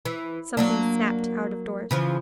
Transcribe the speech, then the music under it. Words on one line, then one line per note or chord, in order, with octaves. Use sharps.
Something snapped out of doors.
E3
F#3 A#3 D4
C#3 E3 F3